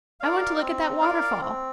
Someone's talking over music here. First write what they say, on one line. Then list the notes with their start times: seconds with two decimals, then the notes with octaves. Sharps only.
I want to look at that waterfall.
0.20 A#4 D5 F5
0.60 C4
1.01 A#4 D5 F5
1.41 C4